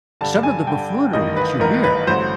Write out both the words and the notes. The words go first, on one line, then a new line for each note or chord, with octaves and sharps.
some of the buffoonery that you hear
G2 D3 G3 A5
G#5
G2 D3 G3 G5
A1 G2 D#3 D#5
B4
A1 G2 D#3 A#4
B4
A1 G2 D3 F#3 C5